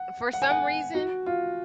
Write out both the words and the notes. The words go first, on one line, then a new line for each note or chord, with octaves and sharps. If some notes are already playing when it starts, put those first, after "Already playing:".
For some reason,
Already playing: F#5
F#5
G#5
F#5
F#4
F4